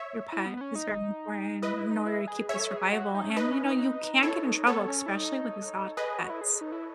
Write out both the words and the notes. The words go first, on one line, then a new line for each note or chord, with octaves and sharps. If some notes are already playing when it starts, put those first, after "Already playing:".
your pet is very important in order to keep the survival, and you know, you can get in trouble, especially with exotic pets,
Already playing: C#5 E5
E4
B3
B3
C#4
D#4
E4 B4 D#5
E4
D#4
E4
G#4
G#4 C#5 E5
A4
G#4
G#4
F#4
D#4
C#4
D#4 B4 D#5
C#4
D#4
E4 A4 C#5
D#4
B3 A4 C#5
C#4
E4
D#4
G#4 B4 D#5
G#4
F#4
E4
G#4
D#4
E4